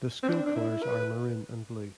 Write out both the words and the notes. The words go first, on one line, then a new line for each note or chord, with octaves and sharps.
The school colors are maroon and blue.
C4
D4
D4
E4
B4